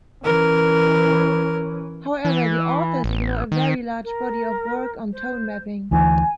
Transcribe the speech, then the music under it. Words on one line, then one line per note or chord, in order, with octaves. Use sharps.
However, the authors ignore a very large body of work on tone mapping.
E3 C#4 A#4
E3
A1
D#3
A#4
C5
D2 E3 G#5